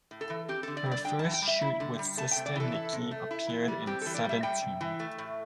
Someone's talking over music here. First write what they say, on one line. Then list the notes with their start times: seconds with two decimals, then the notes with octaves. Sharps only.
Her first shoot with sister Niki appeared in "Seventeen".
0.11 A2
0.21 A4
0.30 E3
0.48 C4 G4
0.63 D3 A4
0.77 D5
0.86 G3
0.91 D5
1.05 D4 G5
1.19 A5
1.24 E3
1.33 G5
1.42 G3
1.48 E5
1.61 E4
1.80 D3
1.99 G3
2.17 A3 A5
2.31 G5
2.36 C3
2.46 D5
2.55 E3 A4
2.74 E4
2.93 C3
3.11 A3
3.31 E4
3.49 E3
3.68 G3
3.87 C4 G4
4.02 E3 A4
4.15 D5
4.24 G3 E5
4.43 G3 G5
4.62 C3
4.81 E3
5.00 A3
5.18 A2